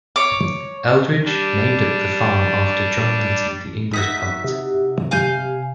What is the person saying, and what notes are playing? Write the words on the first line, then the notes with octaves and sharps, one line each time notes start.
Eldridge named the farm after John Milton, the English poet.
C#5 D6
G3 D4
D#4 F#4 E5 B6
C3
F5 G#5 G6